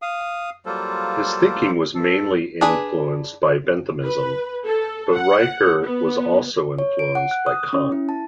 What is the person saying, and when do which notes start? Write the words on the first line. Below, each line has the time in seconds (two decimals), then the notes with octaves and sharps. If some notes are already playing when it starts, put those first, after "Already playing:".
His thinking was mainly influenced by Benthamism, but Richert was also influenced by Kant.
0.02 F5 D#6
0.66 F#3 G3 A#3 F4 A4 C5
1.95 G2 A4
2.61 D4 G#4 B4
4.03 B4
4.64 A4
5.14 F#5
5.82 B3
6.78 C#5
6.99 D7
7.15 F#5
7.31 F#6
7.46 D#6
7.73 C#4
7.92 E4
8.09 A5